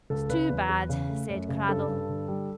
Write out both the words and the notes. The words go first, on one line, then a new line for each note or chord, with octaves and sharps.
"It's too bad," said Cradell.
C#2 A4
C#3 B4
E2
E2
C#3
A3
F#2
C#3
G2 A4
G2
D3
G3